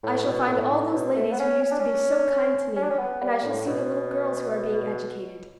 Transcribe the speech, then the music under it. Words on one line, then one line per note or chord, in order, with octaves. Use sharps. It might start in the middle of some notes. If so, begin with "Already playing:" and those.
I shall find all those ladies who used to be so kind to me, and I shall see the little girls who are being educated.
A2
B2
A2
A2
B2
A3
B3
C#4
C#4
D4
C#4
C#4
D4
C#4
B3
G3
A2
B2